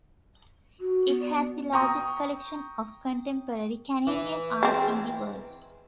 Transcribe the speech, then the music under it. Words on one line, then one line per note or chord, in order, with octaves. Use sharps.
It has the largest collection of contemporary Canadian art in the world.
F#4
B3
D5
G5 A#5 C#6 D#6
E3
G#3 C4